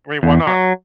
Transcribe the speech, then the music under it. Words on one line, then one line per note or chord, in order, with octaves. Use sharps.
I mean, why not?
E2
F#3